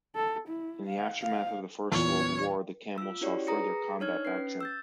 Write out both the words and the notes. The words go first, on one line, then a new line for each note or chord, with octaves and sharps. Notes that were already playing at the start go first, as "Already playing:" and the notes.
In the aftermath of the First World War, the Camel saw further combat action.
A4
E4
F5
F5
E2 A#2 B3 C#5
F4 E6
C#4 E4 F#4 G4 C#5 D5
G#4 B4 A#5 D#6 A#6 C#7
D4 D#4 C#5 F6 G#6
C#4 B4 C7
E6 G6 A6